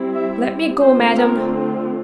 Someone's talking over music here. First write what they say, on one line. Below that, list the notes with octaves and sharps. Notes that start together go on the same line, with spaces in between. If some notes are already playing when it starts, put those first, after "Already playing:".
"Let me go, madam."
Already playing: G3 C4 E4
E5
D3 A3 C4 F4 C5
A#4